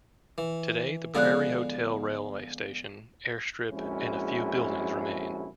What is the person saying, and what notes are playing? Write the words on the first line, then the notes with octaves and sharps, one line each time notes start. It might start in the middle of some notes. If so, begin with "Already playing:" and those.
Today, the Prairie Hotel, railway station, airstrip and a few buildings remain.
E3
D3 F3 G#3 B3 D5 F#6
A#1 F2 G#3 C#4 E4 F#4